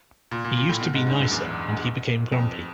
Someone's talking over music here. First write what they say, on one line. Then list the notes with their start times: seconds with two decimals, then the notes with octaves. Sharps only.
He used to be nicer and he became grumpy.
0.31 A#2
0.44 A#2
0.57 A#2
0.69 A2
0.81 B2
0.94 G#2
1.07 G2
1.20 F#2
1.32 E2
2.32 F2